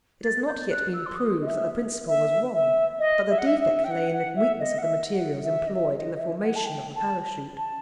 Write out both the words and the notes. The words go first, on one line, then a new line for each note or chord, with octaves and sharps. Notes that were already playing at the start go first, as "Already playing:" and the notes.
It has not yet been proved that the principle was wrong, but the defect lay in the weakness of the materials employed in the formation of the Parachute.
A6
G6
F#6
E6
C6
D#6
D#5
E5
E5
E5
D#5
E5
F#5
E5
E5
G5
F#5
F#5
E5
D#5
F#5
E5
F#5
E5
D#5
E5
D#5
D#5
E5
F#5
A5
G5
A5
A5